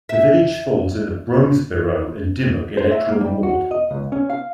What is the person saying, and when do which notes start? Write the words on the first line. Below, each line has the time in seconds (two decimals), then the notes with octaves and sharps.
The village falls in the 'Bromesberrow and Dymock' electoral ward.
0.09 E5
2.77 C5
2.91 E5
3.08 A#3
3.21 G3
3.43 F#4
3.71 D#5
3.91 C#2
4.12 C#4
4.30 F5